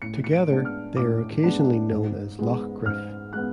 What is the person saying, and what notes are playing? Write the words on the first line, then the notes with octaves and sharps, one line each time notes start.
Together, they are occasionally known as Loch Gryffe.
A2 C#7
C#7
D7
G#3 B3 D4
F6
A2 D6
G#3 B3 D4
G#2
G#3 B3
G#2 F6
G#3 B3 F#6